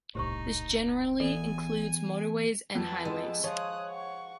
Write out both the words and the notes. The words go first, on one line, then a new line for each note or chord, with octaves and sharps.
This generally includes motorways and highways.
D#1 C2 A2 D#4 G4 C5 C#6
E2 F4 A4 D5 G#5
F2 B3 A5
G#3
F3 C#5 D#6 F#6
F#5 C#6